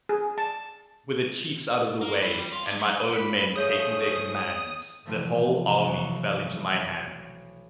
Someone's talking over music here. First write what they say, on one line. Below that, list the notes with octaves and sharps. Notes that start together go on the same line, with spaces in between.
With the chiefs out of the way, and my own men taking their commands, the whole army fell into my hands.
G#4
A5
A#3
E3
G3
F4
G2
F#2
B5
F3 A3 C#4 G#4 C#5 D#6 G6
C3 E3 F3 A3
B1 F#4